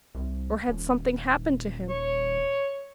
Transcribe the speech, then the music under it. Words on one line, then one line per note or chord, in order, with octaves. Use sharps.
Or had something happened to him?
C2
D#1
C#5